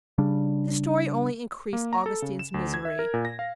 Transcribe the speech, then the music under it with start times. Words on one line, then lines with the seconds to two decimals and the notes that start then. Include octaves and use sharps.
This story only increased Augustine's misery.
0.18 C#3 G3 D4
1.73 A#3
1.93 A#5
2.06 A4
2.22 C#3
2.39 E7
2.54 D2
2.74 G#6
2.85 E5
2.99 A#4
3.14 A#2
3.25 A#6
3.39 F5